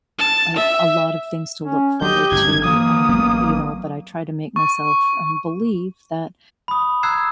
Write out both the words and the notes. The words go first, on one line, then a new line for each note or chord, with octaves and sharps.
a l a lot of things to look forward to, um, you know, but I try to make myself, um, believe that
A5
E5
C#4
F#3 G4 D#5 G6
G1 G#2 C#3 G#6
E3 F#3 A#3 D#6
A1 F#3 B3
C#6
B5 D#6
A#5 E6 F#6 G#6 C7 E7